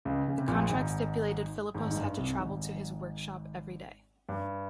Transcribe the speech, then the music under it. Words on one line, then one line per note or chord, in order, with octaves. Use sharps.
The contract stipulated Filippos had to travel to his workshop every day.
C#2 C#3
C#3
C3
A#1 A#2
G#1 G#2
G#1 G#2
G#2
G2
C2 C3
G#1 G#2
G2